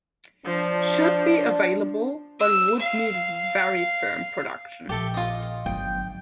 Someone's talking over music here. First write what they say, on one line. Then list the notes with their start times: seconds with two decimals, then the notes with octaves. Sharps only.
Should be available but would need very firm production.
0.45 F3 D4
2.40 E6
2.80 F5
4.89 A#1 G4 A4 E5
5.14 F4 D#5
5.66 G1 F#3 G5